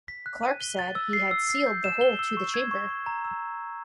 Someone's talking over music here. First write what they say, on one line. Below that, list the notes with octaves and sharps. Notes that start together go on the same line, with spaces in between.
Clark said he had sealed the hole to the chamber.
B6
F#6
D#7
G7
A6
E6
C7
E6
C7
G6
E7
G7
E6
C#6
G#6
C#6
C#6
A#5
E6